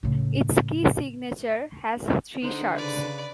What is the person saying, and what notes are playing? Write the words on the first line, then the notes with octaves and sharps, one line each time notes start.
Its key signature has three sharps.
A2 C#3
D3 D#4 C5
C#3 B4 D5